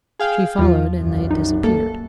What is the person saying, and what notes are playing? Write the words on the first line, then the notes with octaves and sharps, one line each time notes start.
She followed, and they disappeared.
G#4 F5 G5
E2 F3 F4
C2 F#2
D#4
A#3 A4